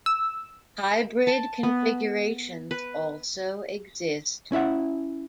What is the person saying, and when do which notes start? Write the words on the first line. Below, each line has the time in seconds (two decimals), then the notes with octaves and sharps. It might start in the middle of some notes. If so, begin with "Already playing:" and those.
Hybrid configurations also exist.
0.06 E6
1.27 A5
1.63 B3
2.71 B4
4.52 C#4 E4 E5 F#5